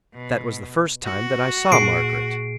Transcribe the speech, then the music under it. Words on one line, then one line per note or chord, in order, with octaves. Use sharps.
That was the first time that I saw Margaret.
B2
F#4
A#2 G#4 C#6 C7 D7